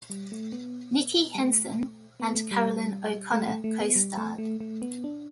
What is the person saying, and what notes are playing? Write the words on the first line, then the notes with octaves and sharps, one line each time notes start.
Nicky Henson and Caroline O'Connor costarred.
G3
A3
B3
G3
A3
B3
A3
G3
A3
A3
A3
B3
G3
A3
A3
A3
B3
D4